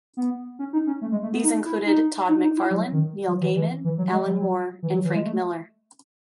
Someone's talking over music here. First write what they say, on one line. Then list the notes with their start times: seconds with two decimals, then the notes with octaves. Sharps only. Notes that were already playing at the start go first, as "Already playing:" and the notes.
These included Todd McFarlane, Neil Gaiman, Alan Moore, and Frank Miller.
0.17 B3
0.59 C#4
0.73 D#4
0.87 C#4
1.02 A3
1.12 G#3
1.23 A3
1.33 B3
1.44 D#4
1.65 E4
1.86 D#4
2.29 D#4
2.42 D#4
2.57 E4
2.71 F#3
2.92 D#3
3.28 F#3
3.41 E3
3.56 E3
3.84 E3
3.98 F#3
4.12 G#3
4.26 F#3
4.41 F#3
4.83 E3
4.94 F#3
5.04 E3
5.15 G#3
5.25 A3